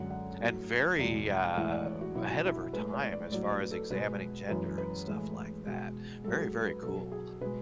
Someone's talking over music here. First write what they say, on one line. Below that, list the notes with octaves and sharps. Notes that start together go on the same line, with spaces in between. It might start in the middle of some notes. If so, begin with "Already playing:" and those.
and very, uh, ahead of her time as far as examining gender and stuff like that, very, very cool.
Already playing: F#2 D3 G#3 F#5
F#5
A2 F#3
E2 B2 G#3
A2 E3 G#3 F#5
D5
C#5
F#4
B2 F#3 E4
F#4
E4
E4
A2 G#3 B4
C#5
D5
A2 F#3 D5
B4
A4
B2 G#3 B4
F#2 E3 G#3 B4
B4
A2 E3 G#3
B2 G#3
G#2 F#3 A4
G#4
A4
B4
B2 F#3 A4
G#4
B2 G#3 B4